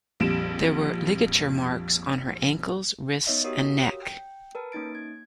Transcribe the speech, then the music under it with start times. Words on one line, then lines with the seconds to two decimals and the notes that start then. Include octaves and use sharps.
There were ligature marks on her ankles, wrists, and neck.
0.20 A#1 F2 G3 D7 E7
3.27 B3 D#4 C#5 D#5 E5
3.44 F#4 G4 A#4 C#5 F5 D#6
4.03 G5
4.55 A#4 B4 A5
4.72 A#3 C#4 D#4 A6 D7
4.95 G#6